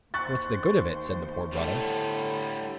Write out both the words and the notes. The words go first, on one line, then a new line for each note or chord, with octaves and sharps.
"What's the good of it?" said the Poor Brother.
D#2 C5 C#6 F#6 A6
A2 D3 G3 A4